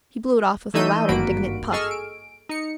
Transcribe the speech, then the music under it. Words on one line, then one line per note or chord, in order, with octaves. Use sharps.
He blew it off with a loud, indignant puff.
E3 A3 D#4 E6 G6 D#7
G#1 G2 A#3 F#4 B5 D7
G#4 A4 D#5 C#6 E6 F6
D7
D#4 C#7